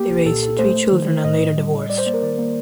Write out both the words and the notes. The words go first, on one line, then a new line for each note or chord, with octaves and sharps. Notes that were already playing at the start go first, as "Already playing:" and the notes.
They raised three children and later divorced.
Already playing: A#3 G4
C2
A#2 A4
A#2 A4
A3 C5
A3
D#3
A3
A2 D#5
A2
G3
A2
G3 D5
C5
A#3 D5
A#4
D#3 D5
A#3